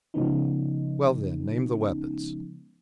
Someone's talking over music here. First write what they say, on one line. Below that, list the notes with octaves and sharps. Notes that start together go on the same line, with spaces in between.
"Well, then, name the weapons."
C#3 F3 G#3 B3 C#4 D#4